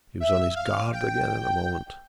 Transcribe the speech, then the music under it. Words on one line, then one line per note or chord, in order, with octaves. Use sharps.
He was on his guard again in a moment.
E5
F5
G5